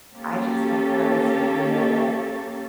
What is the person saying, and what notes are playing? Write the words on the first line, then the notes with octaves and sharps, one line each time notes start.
I just had kinda said, "You know what"
A#3 C#4 G4 A4